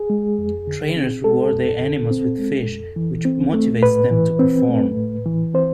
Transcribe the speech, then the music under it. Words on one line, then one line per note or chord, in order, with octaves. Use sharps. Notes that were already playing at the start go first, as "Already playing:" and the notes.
Trainers reward their animals with fish, which motivates them to perform.
Already playing: G#4
G#3
F2
D3
C4
G#3 A4
F2
D3
C4
G#3
F2
E3
C4
A3
A2 B4
E3
C4
A3
A2
E3
C4 C5